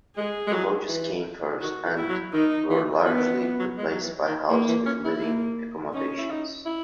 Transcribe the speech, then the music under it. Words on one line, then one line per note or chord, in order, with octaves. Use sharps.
The lodges came first and were largely replaced by houses with living accommodations.
G#3 G#4
G#3
F#3
E3
D#3 F#4
E3
E4
F#3
D#3 D#4
E3
E3 B3
D#3
E3
E3
F#3
G#3
F#3
E3
D#3
E3 A#3
E3
C#4
E4
A#3
C#4 D#4
E4
D#4
E4